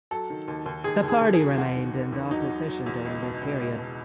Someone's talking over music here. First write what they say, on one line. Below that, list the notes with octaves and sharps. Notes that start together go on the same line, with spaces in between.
The party remained in opposition during this period.
F#3 A4
D#3
D#2
D#2
D#2 G#4
D#2
G#4
D#2
G#4
F#3
E2 F#4
D#3
D#3
E2
F#3 D#4
F#3
F#3
E2
C#2
B2
C#2
C#2
B2